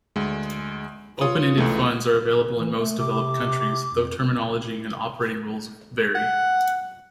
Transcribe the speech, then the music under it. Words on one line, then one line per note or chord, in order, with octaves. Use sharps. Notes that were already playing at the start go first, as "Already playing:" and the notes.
Open-ended funds are available in most developed countries, though terminology and operating rules vary.
D2 G#3
F4 C#5 D#6
C#2 E3 G#3 A3
E3
A3
C3 D6
F2
F#5